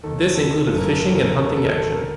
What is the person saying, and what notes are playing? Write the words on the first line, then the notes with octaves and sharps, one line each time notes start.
This included fishing and hunting action.
D#2 D#3 A4
A4
F#1 F#2 C#3 E3 A4
A#4
A4
A#4
A4
A#4
D#2 D3 A4
A#4
A4
A#4
A4
D3 A#4